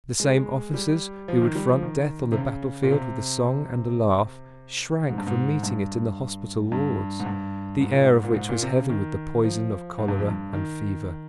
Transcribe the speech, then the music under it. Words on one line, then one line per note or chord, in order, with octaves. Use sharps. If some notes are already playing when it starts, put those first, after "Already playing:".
The same officers who would front death on the battlefield with a song and a laugh, shrank from meeting it in the hospital wards, the air of which was heavy with the poison of cholera and fever.
G#3
G3
F3
D#3
G3
F3
D#3
C3
C#3
A#2
C3
G#2
G2
G#2
G2
G2
G#2
G2
G#2
A#2
G#2
A#2
G#2
A#2
C3
C#3
D#3
F3
G#2
G2
F2
G2
D#3